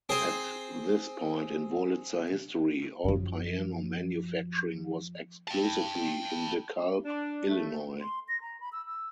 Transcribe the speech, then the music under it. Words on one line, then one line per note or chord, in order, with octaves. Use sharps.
At this point in Wurlitzer history, all piano manufacturing was exclusively in DeKalb, Illinois.
C4 G#4 C5
F#2 F3
G5 A5
D4
A3
C6
A#6
A#5
B5
E6
E6